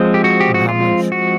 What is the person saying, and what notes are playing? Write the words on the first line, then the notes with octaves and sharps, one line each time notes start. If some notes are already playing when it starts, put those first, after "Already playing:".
of how much
Already playing: F3 G#3 C4
G4
F#4
G4
F#4
F4
F#4